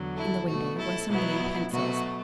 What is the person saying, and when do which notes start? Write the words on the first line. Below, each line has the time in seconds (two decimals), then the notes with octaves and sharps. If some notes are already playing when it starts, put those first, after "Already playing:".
In the window were some blue pencils.
Already playing: E2 D3 F#3
0.16 E4 A4
0.47 B2 A3 F#4
0.79 E4 A4
1.09 B2 F#3 B3 E4
1.71 B2 F#3 A3 F#4